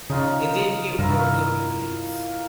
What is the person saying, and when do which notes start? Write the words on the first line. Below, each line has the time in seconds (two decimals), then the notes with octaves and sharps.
It didn't get real good reviews.
0.10 C#3 D#4 F4
0.99 G2 C3 G3 E4 F4 A#4